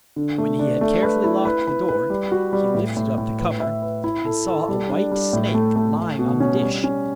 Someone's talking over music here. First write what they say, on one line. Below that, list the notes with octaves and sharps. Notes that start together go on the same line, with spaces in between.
When he had carefully locked the door, he lifted up the cover, and saw a white snake lying on the dish.
D3
A3
D4
A3
B4
E4
B4
B4
B4
G3
F#4
G3
A2
A2
A2
B4
E5
B4
E4
A4
A4
G3
D4
G3
A2
A3
A3
A3
B2
C#4
G3
C#4